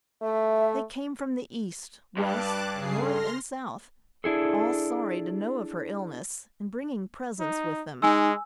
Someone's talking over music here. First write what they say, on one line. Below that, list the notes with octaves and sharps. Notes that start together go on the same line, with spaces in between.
They came from the east, west, north and south, all sorry to know of her illness, and bringing presents with them.
A3 E5
G2 A5 D6 F#6
C#3 G#4 C7
A4 C6 F6 A#6
D4 E4 G#4 A4
D#4
G#3 D#4 G#5 E6